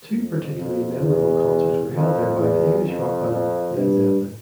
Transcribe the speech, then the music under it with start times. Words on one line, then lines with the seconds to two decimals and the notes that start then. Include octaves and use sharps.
Two particularly memorable concerts were held there by the English rock band Led Zeppelin.
0.12 F2
0.57 F2
1.02 E2
1.93 F2
2.39 E2
2.84 F2
3.30 F2
3.75 G2